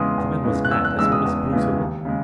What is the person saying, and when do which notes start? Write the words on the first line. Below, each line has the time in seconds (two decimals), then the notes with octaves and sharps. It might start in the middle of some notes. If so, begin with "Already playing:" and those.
"The man was mad as well as brutal."
Already playing: E2 C#3 E3 G#3 C6 D#6
0.18 E2
0.44 C#3 E3 G#3
0.65 F#6
0.71 E2 E6
0.85 F#6
0.99 C#3 E3 G#3 E6
1.12 D#6
1.25 E2
1.52 C#3 E3 G#3
1.78 D#2
2.05 C#3 G#3